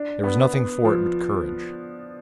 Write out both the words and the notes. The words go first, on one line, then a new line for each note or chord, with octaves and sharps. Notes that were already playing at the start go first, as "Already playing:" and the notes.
There was nothing for it but courage.
Already playing: D4
B3
B3
F3